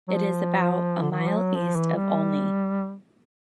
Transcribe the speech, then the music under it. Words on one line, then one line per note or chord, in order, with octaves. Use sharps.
It is about a mile east of Olney.
F#3
F3
D3
D#3
E3
F3
F#3
F3
E3
G3